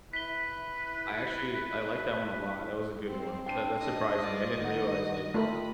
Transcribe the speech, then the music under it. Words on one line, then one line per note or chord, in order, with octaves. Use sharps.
I actually, I like that one a lot, that was a good one, that that surprised me. I didn't realize, like,
E4 B4 B6 G7
C4
C4 D4 G5 C7 D#7
D4 D#4 D#5
F4 D5 D#6
D#3 B3 F#4
A3 F4 G4 A#4 B5